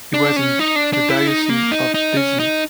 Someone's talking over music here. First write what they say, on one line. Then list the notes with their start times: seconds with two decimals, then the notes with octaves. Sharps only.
He was in the diocese of Béziers.
0.14 D4
0.36 C#4
0.59 D#4
0.76 D4
0.93 D4
1.09 E4
1.27 D#4
1.50 A#3
1.72 D#4
1.94 D#4
2.17 C#4
2.39 D#4